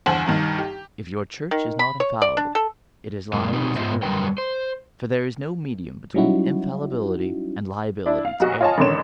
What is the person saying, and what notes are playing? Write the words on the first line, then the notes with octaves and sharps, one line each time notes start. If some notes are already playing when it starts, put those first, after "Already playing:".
If your church is not infallible it is liable to err, for there is no medium between infallibility and liability to error.
G1 E2 C5 G#5 A5 F#7
C2 G2 D#3
G4
D#3
B5
C#5
D5
D4
A4
F#2 A#2 G#3 A#3
B2 C4 D#4 G4
G#2 B3 F4 C5 D#5 E5
F#2 D3 G3 A#4 B4 G5
C5
F#3 G3 C#4 D#4 E4 F#4
D4 E4
F5
B1 F#4 D#5
F4 C#5 D#5 G#5 A5
A1 G#2 D3 D#3 C#5 E7